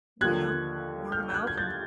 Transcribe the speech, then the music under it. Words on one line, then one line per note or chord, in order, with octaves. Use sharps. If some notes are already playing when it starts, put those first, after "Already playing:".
you know, word-of-mouth.
D#2 D3 F3 F#6 G#6
F6 G6
G6
F#6 G#6
G#6
G6 A6